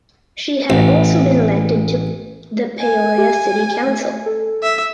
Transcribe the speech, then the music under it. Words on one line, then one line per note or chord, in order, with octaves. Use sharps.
She had also been elected to the Peoria City Council.
A1
G#5
G4
A3
A4
E5